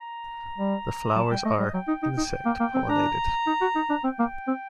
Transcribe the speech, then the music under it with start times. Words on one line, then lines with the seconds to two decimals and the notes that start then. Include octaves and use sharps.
The flowers are -insect-pollinated.
0.01 A#5
0.58 G3
1.16 F#3 A5
1.31 G3 G5
1.45 A3 D#5
1.59 G3 D#5
1.74 F#3 G5
1.88 D#4
2.03 D#4
2.17 D#4
2.46 A#3
2.60 A#3
2.74 C4
2.89 D4 A#5
3.47 D#4
3.61 F#4
3.76 D#4
3.90 D4
4.04 C4 G5
4.19 A#3
4.47 C4